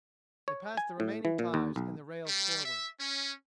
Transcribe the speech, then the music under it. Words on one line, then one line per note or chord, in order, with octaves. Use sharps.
They passed the remaining ties and the rails forward.
C#5
G#5
A2
E3
A#2
D#2
B1
G3
E5
C#4